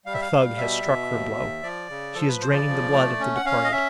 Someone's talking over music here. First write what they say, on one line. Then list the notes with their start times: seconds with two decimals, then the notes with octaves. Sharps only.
The thug has struck her blow; she is draining the blood of the departed.
0.06 G3 F5
0.14 E5
0.21 F5
0.32 G3
0.58 B2 E5
0.84 B2
1.10 D#2
1.36 D#2
1.62 F3 D5
1.89 C#3
2.15 F3 A4
2.28 B4
2.41 C#3 C5
2.54 D5
2.67 F3
2.93 A3
3.20 C#4
3.35 F#5
3.45 C#4 F5
3.64 D#5
3.72 C#4 E5